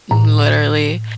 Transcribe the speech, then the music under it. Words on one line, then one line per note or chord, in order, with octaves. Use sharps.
Mm, literally.
A2